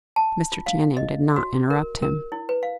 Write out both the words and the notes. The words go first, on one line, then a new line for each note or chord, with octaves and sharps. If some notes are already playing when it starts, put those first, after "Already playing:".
Mr. Channing did not interrupt him.
A5
F4
F5
D#5
F#4
A#4
A#4
E4
B4
F5